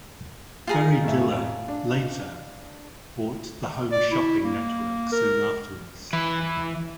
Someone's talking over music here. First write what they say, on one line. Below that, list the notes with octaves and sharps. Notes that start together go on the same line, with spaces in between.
Barry Diller later bought the Home Shopping Network soon afterwards.
F4 G#4 A#5
F2 A2 E5
D4
D5
E4
A#3
A#4
E3 B4